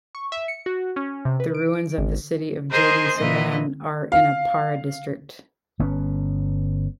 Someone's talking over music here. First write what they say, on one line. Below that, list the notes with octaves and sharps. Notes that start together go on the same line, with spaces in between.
The ruins of the city of Jodensavanne are in Para district.
C#6
E5
C#7
F#4
C#4
C3
B4
D7
G#1
G#4 A#4 C5 D#5 C6
A#2 E3 D#5
F5
G1 B3 C#4